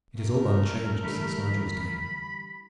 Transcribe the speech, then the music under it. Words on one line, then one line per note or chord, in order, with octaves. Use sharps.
It is all unchanged since Nigel's day.
A3 A#4
D3 E3 G3 B5